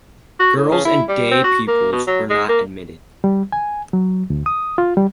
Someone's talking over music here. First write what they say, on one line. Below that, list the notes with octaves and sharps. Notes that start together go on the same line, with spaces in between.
Girls and day pupils were not admitted.
F#4
A2
C#3
E4
G3
C4
F#4
A#3
B2
F#3
G#3
A#3
G3
G#5
F#3
D2
D#6
F4
G3